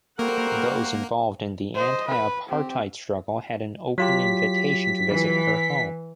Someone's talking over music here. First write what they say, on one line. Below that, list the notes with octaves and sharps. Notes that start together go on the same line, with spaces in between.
Those involved in the anti-apartheid struggle had an open invitation to visit her home.
G3 A#3 F#4 A4 A#4 C5 F#5
C5 D#5
B4
C4 G4
F#3 F4 G4 B6
E3